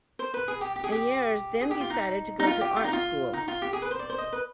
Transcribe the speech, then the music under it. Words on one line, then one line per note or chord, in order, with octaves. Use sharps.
Ayres then decided to go to art school.
C5
B4
G#4
G4
G4
G#4
G4
G#4
G4
F4
D#4
D#4
F4
G4
F4
D#4
F4
D#4
F4
G4
G#4
B4
C5
D5
C5
D#5
B4